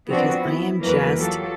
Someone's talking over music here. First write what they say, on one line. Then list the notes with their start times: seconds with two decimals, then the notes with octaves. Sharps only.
because I am just
0.10 F3 B3 C4 D4 F#4 B4
0.41 B3 E4
0.81 E2 E3 F#3 A#3 A#4 B4
1.19 F#3 F4 G4 A4